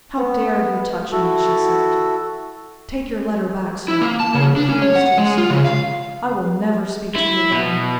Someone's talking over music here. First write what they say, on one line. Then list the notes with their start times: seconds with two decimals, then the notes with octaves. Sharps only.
How dare you touch me!" she said. "Take your letter back, sir; I refuse to receive it; I will never speak to you again.
0.17 B3
1.12 E4 F#4 A4
3.88 E4
4.01 A#3
4.20 A5
4.34 C#3
4.56 D4
4.69 C#4
4.82 C#5
4.95 F#5
5.18 G#3
5.38 F4
5.50 C#3
5.65 F5
7.15 E4
7.52 B2